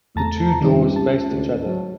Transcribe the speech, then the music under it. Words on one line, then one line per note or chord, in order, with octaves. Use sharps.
The two doors faced each other.
E2 A3 A5 A#5
C#2 G2 D#3 D4 D#4
A5
D2
F#3